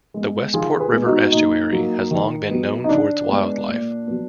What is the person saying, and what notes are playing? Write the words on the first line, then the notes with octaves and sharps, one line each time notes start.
The Westport River estuary has long been known for its wildlife.
G#3 B3
D#3 F4 G#4
G#4 B4
G#3 B3
D#4 F#4
A#2 D#4
F#3 A#3
D#3
F#3 B3
D#4
D3 D4
G#3 B3
A#2
F#3 B3